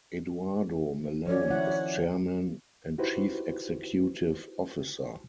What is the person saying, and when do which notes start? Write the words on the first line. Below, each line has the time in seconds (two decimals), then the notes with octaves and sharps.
Eduardo Malone is Chairman and Chief Executive Officer.
1.27 F3 C#4 C#5 D5
1.50 D#3 E4 F#5
2.98 D#4 E4 F#4 G4 B4 C5